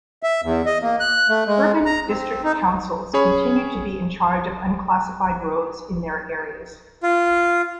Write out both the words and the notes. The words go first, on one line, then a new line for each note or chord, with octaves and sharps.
Urban district councils continued to be in charge of unclassified roads in their areas.
E5
E2
D#5
A#3
F#6
A3
G#3
A#5
C4
D#4
C#4 G#4 C#5 B5
F4